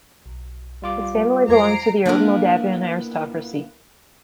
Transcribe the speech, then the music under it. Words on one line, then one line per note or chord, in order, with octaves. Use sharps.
His family belonged to the old Moldavian aristocracy.
B1
G3 F4 D6
F2 C5 A#5 G#6 C7 D7
A#3 B3 D4 E4 F4 A#4